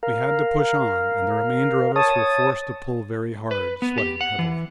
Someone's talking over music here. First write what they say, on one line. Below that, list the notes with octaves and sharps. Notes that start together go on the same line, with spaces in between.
We had to push on, and the remainder of us were forced to pull very hard, sweating heavily.
A#4 F5
C#5 A5 D#6
B4
B3
G4
F#5
E3